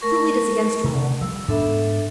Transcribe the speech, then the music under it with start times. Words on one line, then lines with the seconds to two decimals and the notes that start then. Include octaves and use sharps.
Truly it is against rule.
0.01 A3 A#4 C#6
0.84 C3
1.21 F3 G3 E6
1.48 G#2 B3 D4 A4 E5